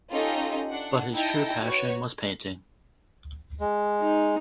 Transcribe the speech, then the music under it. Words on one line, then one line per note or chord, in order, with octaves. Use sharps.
But his true passion was painting.
C#4 D#4 F4 G4 A4 D#5
D4 F#5
D#4 E4 G5 A5 A#6
F#4 B4 C#5
G#3
D#4